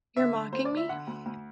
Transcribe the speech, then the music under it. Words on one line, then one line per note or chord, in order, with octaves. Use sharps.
You’re mocking me?
D3 E5
D3
D2 C5
D5
D3
E5
D3 F#5
D2
D2